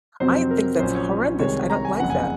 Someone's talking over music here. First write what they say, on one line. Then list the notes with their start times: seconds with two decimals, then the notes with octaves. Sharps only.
I think that's horrendous. I don't like that.
0.20 F2 C3 F#3 C4 C5
0.51 A#4
0.79 A#1 A#2 F#3 C#4 C5
0.95 C#5
1.39 C2 C3 D#3 G#3 C#5
1.70 A#5
1.85 G#5
2.00 F#1 F2 C#3 F#5
2.10 G#5
2.20 F#5